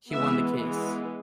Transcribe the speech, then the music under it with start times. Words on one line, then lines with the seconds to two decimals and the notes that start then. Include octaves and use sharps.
He won the case.
0.10 E3 G#3 B3 E5
0.60 E3 G#3 B3